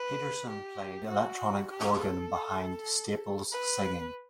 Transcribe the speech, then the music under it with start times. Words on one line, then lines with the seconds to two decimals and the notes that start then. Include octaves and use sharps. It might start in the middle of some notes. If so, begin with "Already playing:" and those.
Peterson played electronic organ behind Staples' singing.
Already playing: B4
0.50 G4
1.10 F#4
1.70 G4
2.00 A4
3.52 B4